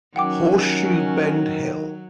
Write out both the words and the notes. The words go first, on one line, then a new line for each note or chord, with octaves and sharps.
Horseshoe Bend Hill.
D#3 F#3 C#4 F#5 G5 D6